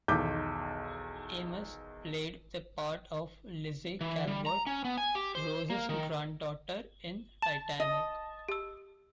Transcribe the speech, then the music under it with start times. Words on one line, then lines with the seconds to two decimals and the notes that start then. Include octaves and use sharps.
Amis played the part of Lizzy Calvert, Rose's granddaughter, in "Titanic".
0.08 B1 E2 D#3 D6 G6 B6
4.01 E3
4.27 G3
4.46 A#5
4.67 C#4
4.85 B3
4.97 G#5
5.15 G4
5.35 C5
5.70 A#3
5.89 D#3
7.42 A5 E7
7.80 D#5
8.49 G4 E6